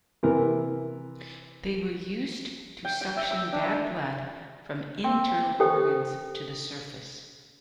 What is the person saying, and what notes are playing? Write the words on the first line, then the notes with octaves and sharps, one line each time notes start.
They were used to suction "bad blood" from internal organs to the surface.
C3 E3 A#4
G5
G5
E5
E6
D4
C4
G4 A4 C5 G5 D#6